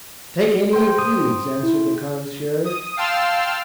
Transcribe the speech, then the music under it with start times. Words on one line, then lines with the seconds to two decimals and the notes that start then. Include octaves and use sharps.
"Take any you please," answered the concierge.
0.73 C5 G5
0.99 D#6
1.63 E4
2.65 D#6
2.97 F5 G5 A5 C6 E6 F6